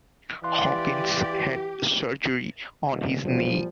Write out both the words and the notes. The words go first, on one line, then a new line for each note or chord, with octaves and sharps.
Hawkins had surgery on his knee.
E3 G4 D5 F5 C6 F#6
D#1
E1 A#2 F3 G3